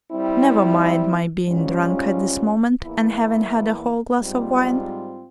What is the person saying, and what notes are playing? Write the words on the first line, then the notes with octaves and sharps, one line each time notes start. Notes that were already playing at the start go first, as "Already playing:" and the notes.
Never mind my being drunk at this moment and having had a whole glass of wine.
G3 C4 E4
G#2 G3 C#4 F4
E2 E3 A#3 E4
G#2 G3 C4 F4